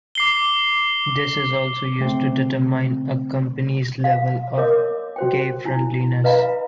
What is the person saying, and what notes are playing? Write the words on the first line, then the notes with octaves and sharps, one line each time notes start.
This is also used to determine a company's level of gay-friendliness.
D6 C7 G7
C#3 A3 C4
F5
A#4 C#5 D#5 D6
F#4 C5 G5
D4 E4
B4 D#5 F5 A#5 B5